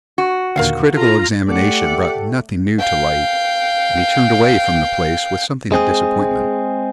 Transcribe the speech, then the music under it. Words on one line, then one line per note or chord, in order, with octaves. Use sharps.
This critical examination brought nothing new to light, and he turned away from the place with something of disappointment.
F#4
D#2 A#2 D3 A#4 F5 F#5
F4 A4 A#5
A3 G4 D5 F#5
F5 G5
G#3 C4 G#4